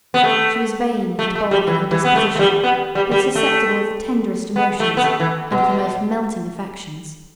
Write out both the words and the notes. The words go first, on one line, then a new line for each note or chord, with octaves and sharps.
She was vain and bold in her disposition, but susceptible of the tenderest emotions, and of the most melting affections.
B3
A3
A3
A3
G3
E3
E3
B3
A3
A3
G3
B3
G3
G3
A3
B3
A3
B3
A3
E3
B2